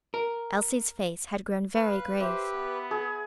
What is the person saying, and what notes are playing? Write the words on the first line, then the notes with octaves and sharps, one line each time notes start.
Elsie's face had grown very grave.
A#4
B4 F5
G4 C5 E5
B3
G#4